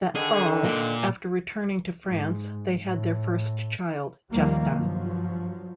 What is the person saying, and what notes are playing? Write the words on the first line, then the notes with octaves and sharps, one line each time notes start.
That fall, after returning to France, they had their first child, Jephta.
D3 D#3 G#4
A#2
G#2
A2
D#2 C3 D#3 F3 G3 A#3
G2 F3 F#3